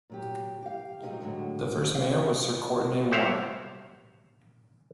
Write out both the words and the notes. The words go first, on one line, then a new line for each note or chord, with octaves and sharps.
The first mayor was Sir Courtenay Warner.
A#2 F#3 G4
G4 F5
F#3 G3 A3 A#3 D#4 G#4
A2 D3 F#3 G#3
F2 C4 D#5 F5
D#3 E3 F4
F#4 G4 C5 C#5 E5 F5